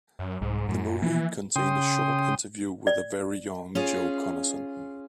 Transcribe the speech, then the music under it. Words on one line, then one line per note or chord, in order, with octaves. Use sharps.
The movie contained a short interview with a very young Joe Conason.
F#2
C2 G#2
F#2 A2
E3 F3 A#3
C#3 G5 C6 D#6
D5
C#4 F4 G#4